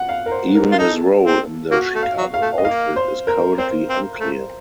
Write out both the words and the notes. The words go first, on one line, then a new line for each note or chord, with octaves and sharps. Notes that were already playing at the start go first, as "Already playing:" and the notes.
Even his role in the Chicago Outfit is currently unclear.
Already playing: F#5
F5
A#4
C5
A#4
F4
D#4 A4
C4
A#3 F#4
A3
F5
F#3
F5
A3
D#5
A#3 F5
C5
A#4
C4 C5
C4
A3